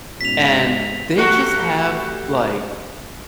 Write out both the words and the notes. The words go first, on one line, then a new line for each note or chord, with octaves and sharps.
and they just have like,
G#2 B2 C#4 B6 F7
G3 A3 F#4